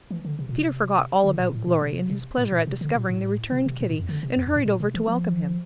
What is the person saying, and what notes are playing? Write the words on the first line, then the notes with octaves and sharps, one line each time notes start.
Peter forgot all about Glory in his pleasure at discovering the returned Kitty and hurried over to welcome him.
E3
D3
C3
A#2
C3
D3
A#2
A2
A#2
C3
C3
A2
A#2
C3
D3
A#2
A2
C3
C3
A#2
A2
F2
D3
C3
F2
F2
A2
A#2
C3
E3
F3